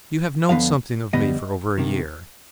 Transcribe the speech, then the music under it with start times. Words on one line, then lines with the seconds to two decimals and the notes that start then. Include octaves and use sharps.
You have known something of me for over a year.
0.49 F2 D3 F3 B3 F5
1.13 F2 D3 G3 B3 D#5
1.78 C2 C3 D#3